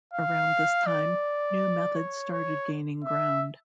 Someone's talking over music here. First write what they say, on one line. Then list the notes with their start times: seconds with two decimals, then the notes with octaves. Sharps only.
Around this time, new methods started gaining ground.
0.14 F5
0.87 D5
1.95 C#5
2.32 C#5
3.04 E5